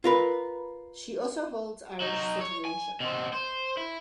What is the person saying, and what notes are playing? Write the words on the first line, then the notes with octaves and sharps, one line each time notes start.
She also holds Irish citizenship.
F4 A#4 B4
F#3 D#4
C#5
G#5
B2 C4
C5
E4